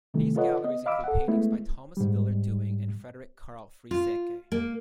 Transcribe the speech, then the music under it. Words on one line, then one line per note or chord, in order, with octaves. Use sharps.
These galleries include paintings by Thomas Wilmer Dewing and Frederick Carl Frieseke.
C3 D#3 E3 G3 A3
F4 A4 B4 C#5 D#5 F#5
B3 D#5
D#5 F5 B5 D6 E6
A4 F#5
G#3 A3 B3 E4
G#2 G3
F4
A#3